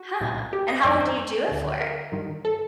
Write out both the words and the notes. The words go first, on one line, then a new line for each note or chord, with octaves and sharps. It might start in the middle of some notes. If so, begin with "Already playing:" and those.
Huh, and how long do you do it for?
Already playing: F#4
C2 A#2
G4
D#5
F#2 D#3 D5
C5
D2 D3
A#4
G2 D#3
A4